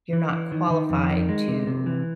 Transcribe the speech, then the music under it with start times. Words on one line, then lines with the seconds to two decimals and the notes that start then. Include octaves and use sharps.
you're not qualified to
0.13 E3
0.32 E3
0.52 D#3
0.70 D#3
0.90 F2
1.09 D#3
1.29 G#3
1.48 C3
1.67 C3
1.86 E3